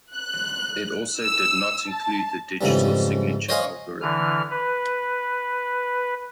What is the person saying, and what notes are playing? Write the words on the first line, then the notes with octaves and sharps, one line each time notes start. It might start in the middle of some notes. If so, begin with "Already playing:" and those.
It also did not include the Digital Signature Algorithm.
F#6
E6
A5
F2 G#2 C#3 E3 G3
C5 C#5 D#5 F5 F#5 G#5
D3 E3 F6
B4